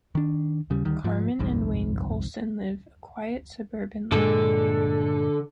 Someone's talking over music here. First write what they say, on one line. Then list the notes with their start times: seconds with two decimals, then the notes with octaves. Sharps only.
Carmen and Wayne Colson live a quiet, suburban life.
0.15 D#3 D4
0.70 D#2 C#3 G3
0.85 D2 D#3 G3
1.04 G#2 F3
1.39 G1 C2 F2 G#2
4.12 G2 A#2 D3 G#3 A4